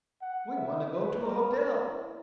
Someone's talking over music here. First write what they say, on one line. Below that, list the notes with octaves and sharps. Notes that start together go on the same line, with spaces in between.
"We want to go to a hotel."
F#5
E5
B4
A#4
E4